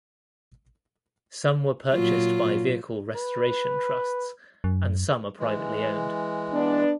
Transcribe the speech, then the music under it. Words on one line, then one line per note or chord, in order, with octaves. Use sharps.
Some were purchased by vehicle restoration trusts and some are privately owned.
A#2 F#3 F4
B4
F#2
E3 G#3
B3 D4